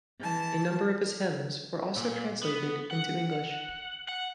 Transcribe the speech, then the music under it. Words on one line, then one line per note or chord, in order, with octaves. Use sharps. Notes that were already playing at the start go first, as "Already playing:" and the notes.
A number of his hymns were also translated into English.
E3 A5
A#2
B3
F#5
F#5